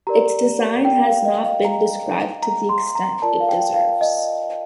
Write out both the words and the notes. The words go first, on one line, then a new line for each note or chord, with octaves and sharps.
Its design has not been described to the extent it deserves.
G4 A#4 D5 A#5
G5
F5
D#5
F5
A#5
A#5
C6
A#5
F4 A#4 D5 A5
F5
G5
F5
D#5